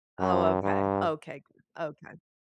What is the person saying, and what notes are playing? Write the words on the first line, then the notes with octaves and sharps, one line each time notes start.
Oh, okay. Okay, good. Okay.
F#2
G2